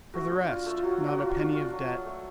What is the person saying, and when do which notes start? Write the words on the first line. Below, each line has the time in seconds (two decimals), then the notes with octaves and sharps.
For the rest, not a penny of debt.
0.14 A3 F#4
0.32 D4
0.48 F4
0.66 A3
0.77 F4
0.83 F#3 F#4
1.00 F#3
1.06 F#4
1.18 F4 F#4
1.29 F4
1.35 D4
1.53 F4 F#4
1.71 F#3
1.88 F#3
2.05 A3